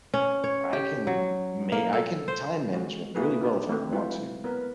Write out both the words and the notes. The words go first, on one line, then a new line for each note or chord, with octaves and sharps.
I can ma I can time management really well if I want to.
C#4
C#5
G4
F#3
A#3
A4
C5
G#3 F#4
A#3 E4 F#4 G#4 A4 B4
D4 D#4 G4
A3 C4
F#3 G#3 E4 F4 B4 C5
B3 A#4 B4